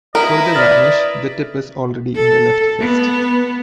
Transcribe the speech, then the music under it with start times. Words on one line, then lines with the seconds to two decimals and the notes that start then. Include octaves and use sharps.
For the vanish, the tip is already in the left fist.
0.15 E4 A#4 B4 D#5
0.55 D5 F6 A6
2.16 A4
2.79 B3